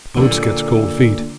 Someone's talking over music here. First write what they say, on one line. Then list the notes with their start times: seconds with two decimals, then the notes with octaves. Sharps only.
Oates gets cold feet.
0.17 A#2 D3